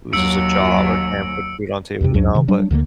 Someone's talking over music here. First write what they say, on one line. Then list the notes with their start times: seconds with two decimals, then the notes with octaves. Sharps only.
loses a job or can't put food on table, you know, but
0.13 D#2 F#3 E6 C#7 D7
2.01 E2 G2 C3
2.14 C#2 F#2 F#3 D4
2.35 C3 D#3
2.48 F#3 G3 D4
2.71 D2 D3 D#3 A#3